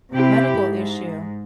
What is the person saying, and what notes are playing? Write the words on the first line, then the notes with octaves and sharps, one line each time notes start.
medical issue.
C3 E4 G4
G#2